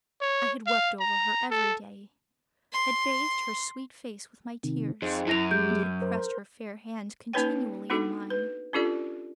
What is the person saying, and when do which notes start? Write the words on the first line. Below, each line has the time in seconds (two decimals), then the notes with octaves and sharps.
I had wept over her every Day--had bathed her sweet face with my tears and had pressed her fair Hands continually in mine--.
0.21 C#5
0.67 F5
1.00 A#5
1.51 A4
2.73 C6
4.63 C3 D#3
5.02 F2 D#4 G#4 C5
5.27 F#2 E4 A#6 F7
5.51 G3 G#3 D6 G6
6.01 A#4 C5
7.33 A#3 C#4 D#4 B4 C#5 G5
7.90 B3 D4 D#4 F#4 A4
8.30 B4
8.73 C#4 D4 F4 G4 A4 D5